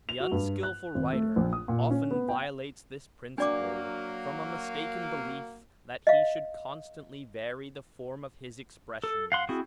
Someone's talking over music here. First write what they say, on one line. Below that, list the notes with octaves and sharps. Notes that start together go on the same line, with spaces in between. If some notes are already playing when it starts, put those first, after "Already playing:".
The unskillful writer often violates this principle, from a mistaken belief that he should constantly vary the form of his expressions.
F7
F#4
G2
F#6
G#1
A3
A#1
D#6
A#2
C#4
B3
G5
F#3 A#3 D4 D5 D6
D#5 F5
A4
F5 F#5 C6
C4 E4 F#4 G#4